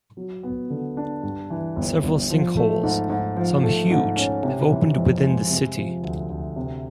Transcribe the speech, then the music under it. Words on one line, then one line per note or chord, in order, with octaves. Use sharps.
Several sinkholes, some huge, have opened within the city.
F#3
B3
D3
D4
G2
E3
G1
G1
F3
A3
G#2
G#2
F3
A3
G#2
C#4
C3
E3
F2
G#3
C3
F3
D2
D2
C3